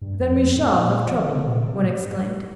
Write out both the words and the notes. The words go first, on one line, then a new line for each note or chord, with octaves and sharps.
"Then we shall have trouble," one exclaimed.
G2
F2
F2
A2
A#2
F3
D#3
D3
C3
A#2
C3
A2
G2
G2
A2